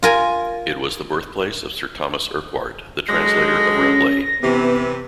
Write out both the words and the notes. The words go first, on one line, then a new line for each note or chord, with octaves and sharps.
It was the birthplace of Sir Thomas Urquhart, the translator of Rabelais.
F4 A#4 G#5
D3 F#3 G#3 A#6
C#4
C3 E3 B3